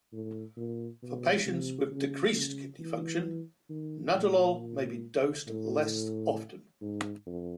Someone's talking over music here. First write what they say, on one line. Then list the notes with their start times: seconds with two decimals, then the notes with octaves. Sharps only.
For patients with decreased kidney function, nadolol may be dosed less often.
0.13 A2
0.57 A#2
1.02 B2
1.46 C3
1.91 C#3
2.35 C#3
2.79 E3
3.69 D#3
4.14 A#2
5.47 A2
6.81 G#2
7.26 F2